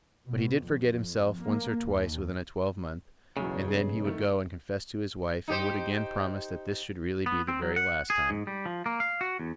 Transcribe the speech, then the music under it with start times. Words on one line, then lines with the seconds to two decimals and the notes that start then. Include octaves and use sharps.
But he did forget himself once or twice within a twelvemonth, and then he would go and confess to his wife, and would again promise that this should really be the very last time.
0.28 B2
0.65 F2
1.42 A#3
1.84 D#2
3.37 B1 E2 C#3 F#3
3.68 G#4
4.05 D#3 A3
5.48 D#4 G4 C5
7.26 B3
7.48 C4
7.62 F#3
7.76 F#5
8.10 G#4
8.30 G#2
8.47 G3
8.66 F3
8.86 A#3
9.00 F5
9.21 F#4
9.39 E2